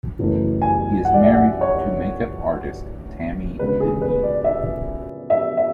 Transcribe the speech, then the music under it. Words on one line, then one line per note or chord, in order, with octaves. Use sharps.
He is married to makeup artist Tammie Dineen.
F#1 F#2 E3 A3
G#5
F#5
D5
E5
F#5
C#5
D2 C#3 G#3 B4
G#4
B4
D5
E5
E5
E5